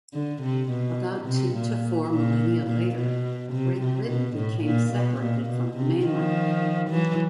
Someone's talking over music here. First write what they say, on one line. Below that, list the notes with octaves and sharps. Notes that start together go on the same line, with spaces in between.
About two to four millennia later, Great Britain became separated from the mainland.
D3
C3
B2
C3
A#2
A#2
A#2
B2
C3
C3
B2
A2
A#2
B2
A#2
B2
C3
D#3 F3
E3 F#3